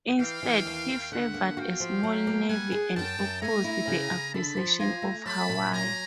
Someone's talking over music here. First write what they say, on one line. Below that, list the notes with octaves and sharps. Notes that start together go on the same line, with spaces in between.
Instead, he favored a small navy and opposed the acquisition of Hawaii.
E3 F5 G5
E3
D#2
D#2
D3 E5 F#5
A#3
F#4 F5 G5
F3
F#3
A#3
G3 F#5 G#5
G#4
F#2 G5 A5
F#2
A3 G#5 A#5
E4
C#3
C#3
D3 A5 B5
F3
F4 G#5 A#5
A3
F#3 A5 B5
A#2
F#3 G#5 A#5